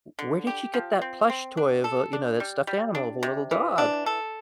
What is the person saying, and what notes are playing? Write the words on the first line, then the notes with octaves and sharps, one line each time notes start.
"W where did she get that plush toy of a" you know, "that stuffed animal of a little dog?"
D3
G4
F3
C4
C4
D4
A4
D4
G3
G3
D4
C3
E3
D4
A4